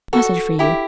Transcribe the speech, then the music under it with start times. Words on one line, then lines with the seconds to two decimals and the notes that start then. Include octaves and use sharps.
Message for you.
0.13 F#4 A4
0.59 E4 G4